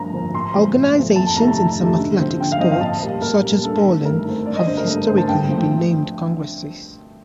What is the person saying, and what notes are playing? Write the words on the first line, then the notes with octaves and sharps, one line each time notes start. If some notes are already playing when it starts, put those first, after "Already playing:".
Organizations in some athletic sports, such as bowling, have historically been named "congresses".
Already playing: G2 F3 A#3 A#5
F3 A#3
A#2 C6
F3 A3 C4
A#2
F3 A3 C4
F2 A5
A5
C3 D#3 A3 A#5
A5
F2
C3 D#3 A3
D3
F3 C4
D3 G5
F5
F3 C4 D#5
F5
A#2 A5
G3 A#3
A#2 A#4
G3 A#3
G2 A4
D#3 A3 C4
G2 A#4
D#3 A3 C4
G2 D5
D#5
D3 A3 C4 C5
A#4
G2 A4
A#4
D3 A3 C4 C5
A5
G2 G5
F3 A3 C4